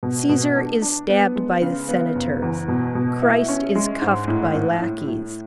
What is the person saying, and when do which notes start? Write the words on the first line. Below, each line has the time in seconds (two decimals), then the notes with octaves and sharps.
Caesar is stabbed by the senators; Christ is cuffed by lackeys.
0.03 B2
0.29 B2
0.56 D4
0.82 D4
1.09 B3
1.36 G#3
1.62 C#3
1.89 B3
2.15 F#1
2.42 E2
2.68 B2
2.95 B2
3.22 E4
3.49 C#4
3.75 G#3
4.02 G#2
4.28 A2
4.55 A2
4.81 A2
5.08 A2